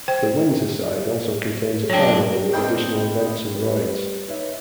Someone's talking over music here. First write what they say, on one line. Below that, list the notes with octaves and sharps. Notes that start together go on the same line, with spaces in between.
The Windsor side also contains a carnival with additional events and rides.
C5 G5
F#3 D4 C#5 G5
D3 D#3 C4 B4 D#5 G5
G3 A#4 B4
D#4 B4 C#5 E5